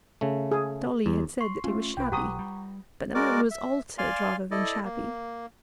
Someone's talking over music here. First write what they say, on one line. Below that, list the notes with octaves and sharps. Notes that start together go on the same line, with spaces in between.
Dolly had said that he was shabby,--but the man was altered rather than shabby.
C#3 A3
G#4
E2
C6 C#6 C7
A3 C#4 F4
C2 B4 G5
B1 G4 F#5 A#5 C#6 D#6
G3
G#3 F#4 A#4 D5 D6
E5
D5 F5 G#5 C6
E4 A4 D5 D#5
A#3